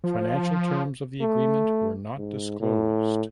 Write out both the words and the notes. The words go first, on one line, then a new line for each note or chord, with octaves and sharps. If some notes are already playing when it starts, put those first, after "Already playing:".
Financial terms of the agreement were not disclosed.
F3
A3
G#2
A2